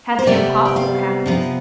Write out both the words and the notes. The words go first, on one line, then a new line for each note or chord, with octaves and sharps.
Had the impossible happened?
C5
C3 G3 B3 D5
G5
F5
C3 F3 B3